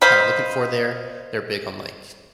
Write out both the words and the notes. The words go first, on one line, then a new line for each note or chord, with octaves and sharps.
kinda looking for there. They're big on, like,
C5 D#5 F5 B5